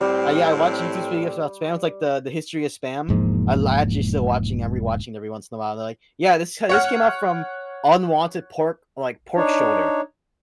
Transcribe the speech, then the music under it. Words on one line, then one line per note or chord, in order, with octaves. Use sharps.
Uh, yeah, I watched YouTube videos about Spam, it's like the the history of Spam. I'll actually still watching, I'm rewatching every once in a while, they're like, "Yeah, this h this came up from unwanted pork, like pork shoulder"
A2 G3 C4
E1 G#2 F3 A#3
C#5 F#5 F6
D4 D#4 C#5